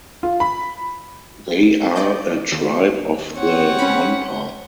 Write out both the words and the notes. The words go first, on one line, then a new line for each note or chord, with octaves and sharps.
They are a tribe of the Monpa.
F4
B5
D5 D#5 G6
D#2
C4 C#5 F#5
C#4 B5